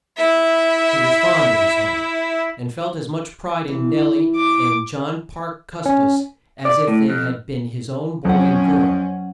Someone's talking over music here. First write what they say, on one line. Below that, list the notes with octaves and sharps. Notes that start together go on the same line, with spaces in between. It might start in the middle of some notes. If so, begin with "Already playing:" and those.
He was fond of his home, and felt as much pride in Nel-lie and John Parke Cus-tis as if they had been his own boy and girl.
E4 E5
E3
D6
C#4
D5
A2
F2
F2 F#3 C#4 F#5